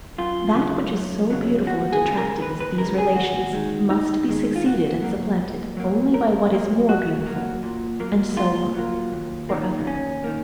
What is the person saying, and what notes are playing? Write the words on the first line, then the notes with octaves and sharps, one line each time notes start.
That which is so beautiful and attractive as these relations, must be succeeded and supplanted only by what is more beautiful, and so on for ever.
F#2 F4
C#3 F#3
F#2
C#3 F#3
D#2 F#4
G#4
C#3 G#3
A#4
D#2 B4
B4
C#3 G#3 A#4
G#4
D#2 F#4
D#3 G#3
D#2 D#4
D#3 G#3
F4
A#2 F#4
F#3 A#3
A#2
F#3 A#3
A#2 A#4
F#3 A#3
A#2 F#4
F#3 A#3
A#2
F#3 A#3
A#2 F4
F#3 A#3
D#2
D#3 A#3
D#2 C#4
D#3 A#3